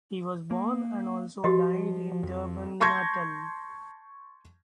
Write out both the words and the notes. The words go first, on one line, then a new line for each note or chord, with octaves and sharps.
He was born and also died in Durban, Natal.
A#3
F3 F#4 G4 D#5
F2
A5 C6 C#6 G6 G#6 A#6